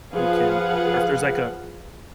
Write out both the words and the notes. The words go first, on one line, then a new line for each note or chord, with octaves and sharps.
you can, or if there's like a
F3 G#4 B4 F5 F#5